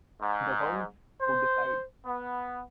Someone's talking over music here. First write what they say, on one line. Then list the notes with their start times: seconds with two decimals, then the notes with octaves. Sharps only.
The Ones Who Decide.
0.20 G#2
1.20 C5
2.04 B3